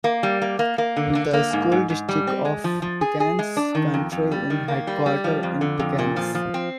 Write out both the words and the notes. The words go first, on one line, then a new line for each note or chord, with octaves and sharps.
The School District of Pickens County is headquartered in Pickens.
A#3
G3
A#3
A#3
A#3
D3
D3
A#3
G#2
G#2
G#2
G3
C4
G#3
F3
F3
G#4
G#4
G#3
D4
D#3
F2
F2
G3
D#3
A#3
G3
G3
F3
F2
D3
F2
A#2
F3
F3
C4